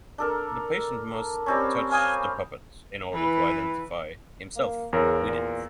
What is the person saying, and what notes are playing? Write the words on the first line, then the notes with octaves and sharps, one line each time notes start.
The patient must touch the puppet in order to identify himself with it.
D4 A4 A#4
G3 C4 C#4
F5 G#5 D#6
E3 B4
A#3
E2 C#3 A#4
A#2